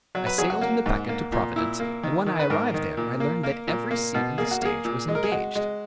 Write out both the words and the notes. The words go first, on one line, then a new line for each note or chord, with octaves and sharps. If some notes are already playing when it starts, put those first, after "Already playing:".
I sailed in the packet to Providence, and when I arrived there I learned that every seat in the stage was engaged.
F#3
B4
F#3 G#4
F#4
A#3
G#2
A#3
A#2
A#2 E4
A#3
D#3
D#3
B4
G#2 A#4
D#3
A#2
A#3
A#3 A#4
A#2
A#3
B2
A#3 G#4
F#4
A#3 G#4
A#2
G#3
A#4
G#4
G#3 F#4
G#3